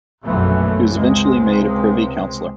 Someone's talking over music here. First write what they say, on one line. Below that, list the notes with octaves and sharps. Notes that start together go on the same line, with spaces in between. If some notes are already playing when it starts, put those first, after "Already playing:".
He was eventually made a privy councillor.
A#1 F#2 B2 E3 A3
C#2 C3 G#3